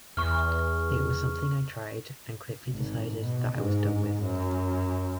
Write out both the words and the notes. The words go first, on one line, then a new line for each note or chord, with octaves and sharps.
It was something that I tried and quickly decided that I was done with.
E2 C#6 F6
G#1
B2
G#2
F#2